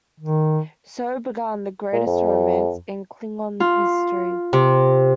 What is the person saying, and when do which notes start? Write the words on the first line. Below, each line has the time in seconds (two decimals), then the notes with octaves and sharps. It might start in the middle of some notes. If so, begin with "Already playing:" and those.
So began the greatest romance in Klingon history.
0.20 D#3
1.93 A#2
2.06 F2
3.60 F4
4.53 C3